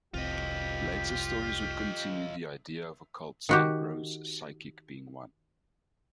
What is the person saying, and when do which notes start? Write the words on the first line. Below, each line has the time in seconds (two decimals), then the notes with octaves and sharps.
Later stories would continue the idea of Occult and Rose Psychic being one.
0.14 F1 C2 F4 G4 D#5
3.49 D#3 F#4 G4